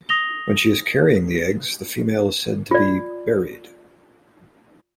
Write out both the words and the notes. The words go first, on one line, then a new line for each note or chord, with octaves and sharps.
When she is carrying the eggs, the female is said to be "berried".
D#6 A#6 F7 G7
F4 D5